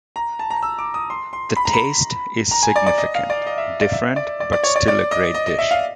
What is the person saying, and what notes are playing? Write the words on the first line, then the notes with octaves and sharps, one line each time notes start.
The taste is significant different but still a great dish.
A#5
A5
A#5
E6
D6
D#6
C6
C6
B5
A#5
B5
A#5
G#5
D5
D5
D#5
F5
D5
D#5
E5
D5
E5
D5
D5
D5
C#5
D5
D5
D#5
D#5
D#5
E5
F5